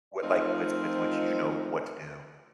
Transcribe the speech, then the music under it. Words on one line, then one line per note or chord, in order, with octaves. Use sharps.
what, like, with with which you know what to do
F3 A3 C4 D#4 F4 A#4